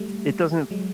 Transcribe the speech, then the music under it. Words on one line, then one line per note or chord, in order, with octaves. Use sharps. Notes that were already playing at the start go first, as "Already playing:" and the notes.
it doesn't
Already playing: G3 A3
F#3 G#3